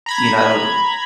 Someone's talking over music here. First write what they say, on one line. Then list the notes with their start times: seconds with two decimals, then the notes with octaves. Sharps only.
you know,
0.06 A#5 B5 G#6